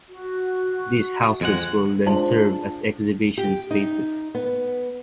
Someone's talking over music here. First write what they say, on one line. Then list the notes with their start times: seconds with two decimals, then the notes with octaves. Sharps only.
These houses will then serve as exhibition spaces.
0.09 F#4
1.41 F2 G#3 F#5
2.06 G#3 D4 F4 C5 A5 F#7
3.38 G4
3.71 D#4
4.35 B3